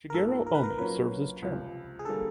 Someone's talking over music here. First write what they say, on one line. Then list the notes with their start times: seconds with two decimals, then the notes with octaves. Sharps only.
Shigeru Omi serves as chairman.
0.10 A#4
0.14 G#2 F3 A#3 A4
0.47 A#4
0.55 B4
0.63 A#4
0.78 A#2 F#3 A#3 C#4 B4
1.42 C#2 C3 F3
1.99 G#4
2.05 D3 G3 A#3 A4